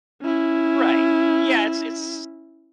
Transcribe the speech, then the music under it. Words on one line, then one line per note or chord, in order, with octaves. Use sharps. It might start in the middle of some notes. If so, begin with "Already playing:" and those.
Right. Yeah, it's it's
C#4 E4